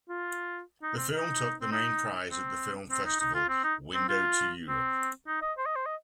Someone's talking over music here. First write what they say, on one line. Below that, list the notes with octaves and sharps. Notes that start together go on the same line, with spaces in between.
The film took the main prize at the film festival "Window to Europe".
F4
D#4
C4
D#4
C4
D#4
C4
C4
D#4
D#4
F4
C4
D#4
C4
F4
C4
D#4
D#5
C5
D#5
C5
D#5